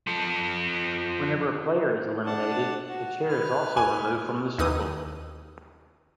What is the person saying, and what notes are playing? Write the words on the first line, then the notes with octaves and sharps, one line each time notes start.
Whenever a player is eliminated, a chair is also removed from the circle.
F3 A4
D4 F#5 A5
F#4
B4 F6
G#5
D#2 D#4 D#6